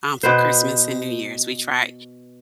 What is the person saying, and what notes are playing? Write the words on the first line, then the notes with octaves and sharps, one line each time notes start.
um, for Christmas and New Year's, we try
B2 B4 C5